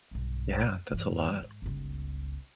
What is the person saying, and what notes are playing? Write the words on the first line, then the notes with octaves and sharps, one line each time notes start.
Yeah, that's a lot.
B1 G2
G2 E3
G#2
G1 C#2